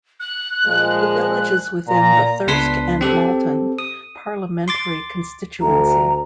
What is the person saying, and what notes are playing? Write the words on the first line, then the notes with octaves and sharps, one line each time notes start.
The village is within the Thirsk and Malton parliamentary constituency.
F#6
A#2 F3 G#3
A#2 A#5
C#2 B3 D4 B4 C6 B6
C4 G4 A4
D#6
C6 D6 A6
D2 A#5